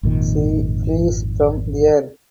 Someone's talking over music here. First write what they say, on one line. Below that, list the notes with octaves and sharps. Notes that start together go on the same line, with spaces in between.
She flees from there.
G#1 F2 A#2 D#3